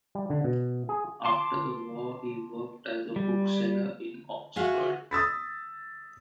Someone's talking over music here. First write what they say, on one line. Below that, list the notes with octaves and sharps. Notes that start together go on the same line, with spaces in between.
After the war, he worked as a bookseller in Oxford.
G3
D3
B2
G#4
A5 C6 D6
G3
F#4 G#4 E5 F5
D#6 E6 A6 B6